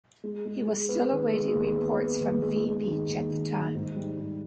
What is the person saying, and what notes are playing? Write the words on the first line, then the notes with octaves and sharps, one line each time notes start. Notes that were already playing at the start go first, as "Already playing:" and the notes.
He was still awaiting reports from V Beach at the time.
G#3
G#3
G#3
B3
D#3
G#3
D#2
B3
B3
D#2
G#3
G#3
D#3
D#2
D#3
D#3
G#2
G3
G#2